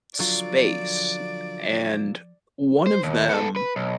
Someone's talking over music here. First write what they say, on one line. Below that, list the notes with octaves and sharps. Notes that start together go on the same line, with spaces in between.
space, and one of them
D3 F3 F#3 F4 D5
C5
D#2
B3 A4
B4
B1